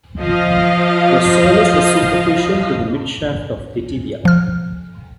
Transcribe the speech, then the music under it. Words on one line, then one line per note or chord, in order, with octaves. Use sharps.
The soleus is superficial to the mid-shaft of the tibia.
F3 D#5 F5
F3 F6